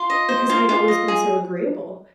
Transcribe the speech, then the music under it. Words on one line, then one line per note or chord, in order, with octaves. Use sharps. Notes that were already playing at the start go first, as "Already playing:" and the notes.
because I'd always been so agreeable.
Already playing: F4 C6
D#5
C5
F4
F4
D#5
G#4